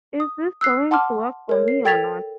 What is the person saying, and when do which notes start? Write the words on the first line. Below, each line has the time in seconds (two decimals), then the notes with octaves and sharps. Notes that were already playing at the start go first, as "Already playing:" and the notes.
Is this going to work for me or not?
0.20 D#6
0.61 E6 F#6 C7
0.91 F#5 A5 C6 D6 F6
1.49 A#4 C#5
1.68 C7
1.85 A4 G5 G#6 A6 B6 F7